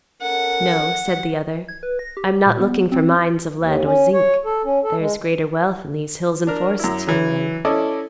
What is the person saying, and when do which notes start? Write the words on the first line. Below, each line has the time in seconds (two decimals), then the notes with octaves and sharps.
"No," said the other, "I am not looking for mines of lead or zinc; there is greater wealth in these hills and forests, young man."
0.22 C#4 A4 A#4 F#5
1.68 G#6
1.83 B4
1.99 A#6
2.17 G4
2.46 A#2
2.60 B3
2.92 C4
3.58 D#2
3.85 C#4
4.13 C#5
4.45 A4
4.65 C#4
4.84 A4
4.99 G#3
6.47 D4 A#4
6.79 F#2 E4
7.07 E3 F#3
7.65 C#4 E4 A4 D5 D#5